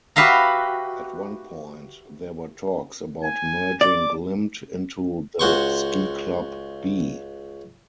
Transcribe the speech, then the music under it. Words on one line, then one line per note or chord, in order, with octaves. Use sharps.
At one point, there were talks about merging Glimt into the Ski Club B.
F#4 G4 B4 E5 F5 A#5
G#5
D5 D6
C#2 F#4 C5 C#6